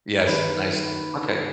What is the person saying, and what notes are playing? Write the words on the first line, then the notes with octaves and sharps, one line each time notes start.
Yes, nicely. Okay.
A#4
D#2 D#3 B4